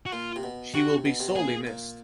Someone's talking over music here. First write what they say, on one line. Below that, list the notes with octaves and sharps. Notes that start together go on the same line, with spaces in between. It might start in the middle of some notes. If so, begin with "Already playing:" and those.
She will be sorely missed.
F#4
A#2 F4
C3
B2
C3 F#4
B2
C3
B2
A#2 G#4
A#2